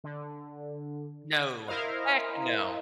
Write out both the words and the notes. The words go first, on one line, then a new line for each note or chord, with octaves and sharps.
No. Heck no.
D3
E4 A#4 C5 D#5 F5